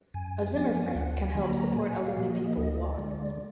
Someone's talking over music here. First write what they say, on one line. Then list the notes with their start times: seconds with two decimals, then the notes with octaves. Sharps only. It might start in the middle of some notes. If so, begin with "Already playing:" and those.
A zimmer-frame can help support elderly people walk.
0.14 F#2 G#5
0.54 F3 B3 G#5
0.90 F5
0.95 D2 F#5
1.22 G#5
1.35 D3 F#3 A#3 B5
1.49 A#5
1.76 A#2 G#5
2.03 F5
2.17 F3 A#3
2.30 D#5
2.57 D2 D#5
2.84 D5
2.98 D3 G#3
3.11 D5